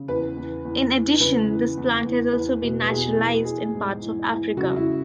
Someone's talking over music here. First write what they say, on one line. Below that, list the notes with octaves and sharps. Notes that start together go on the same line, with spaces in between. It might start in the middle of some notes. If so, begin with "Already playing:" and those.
In addition, this plant has also been naturalized in parts of Africa.
Already playing: C#3
E2 B4
E2
E2
E3
C#3 B4
E3
E2
E2
E2 B4
B2
B4
B2 G#4
E2
E3 G#4
G#2
E3
E3
C#3 F#4
E4
C#3